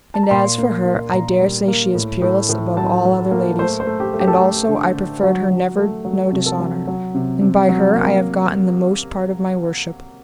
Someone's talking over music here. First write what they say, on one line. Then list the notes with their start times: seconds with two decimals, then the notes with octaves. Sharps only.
And as for her, I dare say she is peerless above all other ladies, and also I proffered her never no dishonour; and by her I have gotten the most part of my worship.
0.14 A5
0.23 A#5
0.31 A#2 C6
0.58 A#3
0.85 A#3
1.12 A#2 A#5
1.40 G3
1.68 A#3
1.95 A2
2.22 A2
2.49 A2
2.77 F#3 A5
3.05 F#3
3.31 A#3
3.59 A3 C5
3.80 C5
3.87 A3
4.00 G4
4.14 A3
4.20 G4
4.27 A4
4.36 G4
4.41 A3
4.68 D3
4.95 D3
5.23 F#3 F#4
5.51 F#3
5.78 A3
6.05 F#3
6.32 C3
6.46 A4
6.60 F#3
6.87 F#3
7.15 C3
7.41 C3
7.69 F#3
7.96 A#3